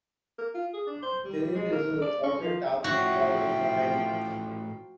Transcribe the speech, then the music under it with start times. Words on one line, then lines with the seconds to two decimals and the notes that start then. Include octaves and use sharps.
There is a water tap installed on the island.
0.38 A#4
0.54 F4
0.74 G#4
0.87 D4
1.03 C5
1.25 G3
1.55 G#3
1.72 A#4
2.02 D5
2.23 C#4
2.42 F3
2.84 A2 F3 C#4 E4 F#4 E5 G5